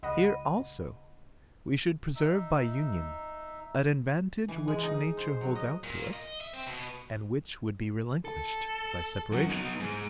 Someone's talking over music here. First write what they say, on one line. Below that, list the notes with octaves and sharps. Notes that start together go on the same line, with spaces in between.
Here also we should preserve by Union, an advantage which nature holds out to us, and which would be relinquished by separation.
C#2 D#5 F#5 B5 A#6 D#7
D#4 E5
E3
G#3
D#4
C5
F#3
D#5
A#2
D#5
E5
C4
B2
A4
F#2 F#4
B3 D#4
G#2